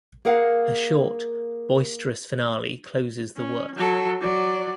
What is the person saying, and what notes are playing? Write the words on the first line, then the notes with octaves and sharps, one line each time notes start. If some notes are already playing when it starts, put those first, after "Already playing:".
A short, boisterous finale closes the work.
A#3 G#4 A#4 F5 F#5
C#4
F#3 A4
F#3 D5